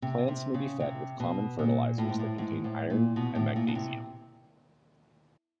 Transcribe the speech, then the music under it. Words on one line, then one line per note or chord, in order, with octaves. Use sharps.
Plants may be fed with common fertilizers that contain iron and magnesium.
C3
C3
C#3
C3
B2
A#2
A2
G#2
A2
G#2
A2
A#2
B2
A2
A#2
B2
C3